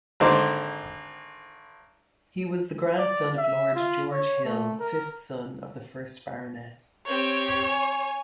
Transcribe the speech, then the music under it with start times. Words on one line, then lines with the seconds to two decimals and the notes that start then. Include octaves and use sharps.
He was the grandson of Lord George Hill, fifth son of the first Baroness.
0.20 G#1 D3 D#4 C5 C6 D6
2.99 D5
3.37 E5
3.76 F4
4.11 C#5
4.45 A3
4.79 A#4
7.07 C4 G4 C#5
7.66 G#5